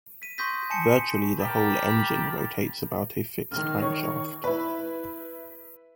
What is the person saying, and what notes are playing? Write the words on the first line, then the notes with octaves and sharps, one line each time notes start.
Virtually the whole engine rotates about a fixed crankshaft.
B6 D#7
C6 C#6 D#6 G6 A#6 B6
G#5 A5 C#7
G4 A#4 A5 B5
D#3 F6
C#5 C#6
E4 B4